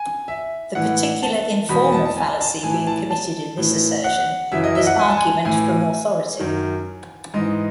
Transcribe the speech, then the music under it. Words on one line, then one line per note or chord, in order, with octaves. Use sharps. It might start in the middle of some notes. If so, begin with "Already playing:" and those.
The particular informal fallacy being committed in this assertion is argument from authority.
Already playing: G#5
E5
A2 E3 F#5
A5
E2 B2 B5
A5
A5
G#5
A5
A2 E3 G#5
A5
A5
A2 E3
F#5
F#2 C#3 E3 E5
D#5
E5
F#5
G#5
A5
G#5
A2 E3 G#5
F#2 D#3
G#2 E3 D#5